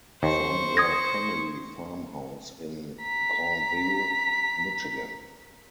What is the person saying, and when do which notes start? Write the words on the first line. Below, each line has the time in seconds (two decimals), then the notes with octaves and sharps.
From their family farmhouse in Grandville, Michigan.
0.23 D#2 C5 C#6
0.77 D#6 G#6 A#6
3.01 A#5 B6